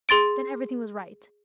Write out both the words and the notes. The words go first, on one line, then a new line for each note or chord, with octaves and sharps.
Then everything was right.
G#4 C6 A6 D7